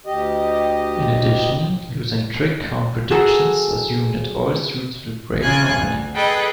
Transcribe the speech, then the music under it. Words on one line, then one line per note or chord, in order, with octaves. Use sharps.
In addition, losing-trick count predictions assume that all suits will break normally.
D2 G4 D#5
F#4 G#4 A4 A#5 E6
C#3 F4 G#5 F#6 G#6
D2
G#4 A4 B4 D#5 G5